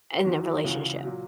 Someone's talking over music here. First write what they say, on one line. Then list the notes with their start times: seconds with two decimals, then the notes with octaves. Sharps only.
in the relationship?
0.23 E2 D#3 F#3 F#4
0.44 E4
0.64 C#2 C#3 E3 F#4
1.05 A#2 F#3